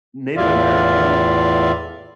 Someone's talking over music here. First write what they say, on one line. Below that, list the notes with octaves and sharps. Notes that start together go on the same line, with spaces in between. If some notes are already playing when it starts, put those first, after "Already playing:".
Native American
E2 A2 F4 D5 E5 F5